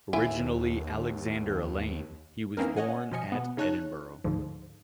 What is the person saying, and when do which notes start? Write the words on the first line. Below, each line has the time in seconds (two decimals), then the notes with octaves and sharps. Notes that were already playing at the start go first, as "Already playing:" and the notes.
Originally Alexander Alane, he was born at Edinburgh.
0.13 D#2 E4 E5 G#5
2.57 E3 A#3 C4 C#4 D#4 A#4
2.76 C#5 D#5 F#5 G#5
3.12 B2 F3 D#5 G#5 C#7
3.32 B2 B3
3.57 C#3 D#4 C#5 A5 F#6
4.24 D2 G#2 D3 F3